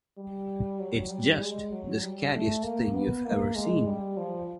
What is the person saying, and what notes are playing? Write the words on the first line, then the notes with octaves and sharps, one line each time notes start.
It's just the scariest thing you've ever seen.
G3
F#3
G3
G#3
F#3
G3
A3
A#3
B3
A#3
G#3
G3
F3